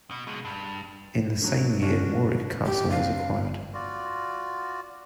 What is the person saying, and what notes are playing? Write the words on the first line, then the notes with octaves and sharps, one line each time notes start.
In the same year Warwick Castle was acquired.
B2
B2 G#3
G2
D3 F#3
C#4 D4 F#4
G4
C4 D4 F5
F4 F#4 D5